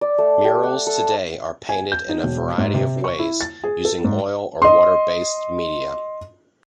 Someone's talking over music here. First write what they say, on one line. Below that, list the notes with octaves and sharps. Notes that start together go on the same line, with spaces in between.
Murals today are painted in a variety of ways, using oil or water-based media.
D5
A3
G4
F#5
A4
G#5
G6
D#4
E1
G#2
C3
C#6
E4
A6
G#4
A4
G#2
D#5 C6